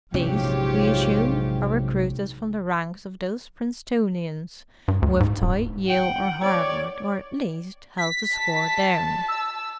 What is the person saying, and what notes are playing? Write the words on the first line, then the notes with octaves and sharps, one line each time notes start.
These, we assume, are recruited from the ranks of those Princetonians who have tied Yale or Harvard or at least held the score down.
A#1 G#2 C3 F#3 C#4 F4 G4 C#5
G2
D2
G#2
D#1
F#5 G5
C#5 D5
B6
A5
E6